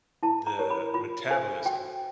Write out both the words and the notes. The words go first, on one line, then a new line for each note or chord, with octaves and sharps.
the metabolism.
E4 A5
A#5
G4 A#4 C#5
B5
F4 B5
A4 C5 G#5
F#4 G5